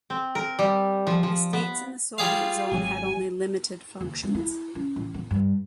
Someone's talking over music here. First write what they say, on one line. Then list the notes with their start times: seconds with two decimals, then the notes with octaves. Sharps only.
The states in the Soviet zone had only limited functions.
0.10 C4
0.35 A#4
0.59 G3
1.07 F3
1.23 F3
1.53 B3
2.18 G3 F4 G#4 F5
2.71 G#1 F#3 G#5
4.01 D#2
4.23 G#3
4.35 E4
4.75 C#4
4.96 A1
5.14 B3
5.31 G2